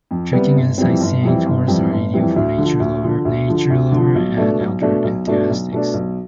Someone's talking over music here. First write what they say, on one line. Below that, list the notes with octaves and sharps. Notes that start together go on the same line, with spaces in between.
Trekking and sightseeing tours are ideal for nature lovers and outdoor enthusiasts.
F2
C3 G3 B3
G1
F2 E3 G3 C4
G1
F2 E3 G3 C4
G1
F2 E3 G3 C4
G1
F2 E3 G3 C4
D2
D3 F3
D2
D3 F3
D2
D3 F3
D2
D3
F3
B1
B2 A3 D4
B1
B2 A3 D4
B1
B2 A3 D4
B1
B2 A3 D4
B1